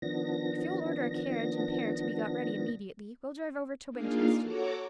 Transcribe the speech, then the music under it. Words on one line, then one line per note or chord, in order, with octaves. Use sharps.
If you'll order a carriage and pair to be got ready immediately, we'll drive over to Winchester.
D#3 F3 B3 D4 A#6
A#3 D4 D#4 F4 G#4 F5
F#4 A4 C#5 A#5 D6